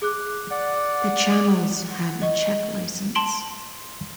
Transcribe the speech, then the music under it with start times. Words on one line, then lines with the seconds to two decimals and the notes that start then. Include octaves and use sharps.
The channels have a Czech license.
0.02 G#4 D6 F#6
0.51 D5 F#5
1.59 F#5
2.22 D#5 C#6
3.15 A5 C6 D7 F#7